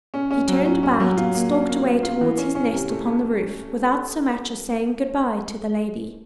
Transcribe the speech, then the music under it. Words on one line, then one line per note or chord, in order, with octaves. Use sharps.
He turned about and stalked away towards his nest upon the roof, without so much as saying good-by to the lady.
C#4
C#4
F#3
C#4
C#4
F#3
F4
A#3
C#4
A#3
A#3
F4
E3
C#4
C#4
C3
A3
A3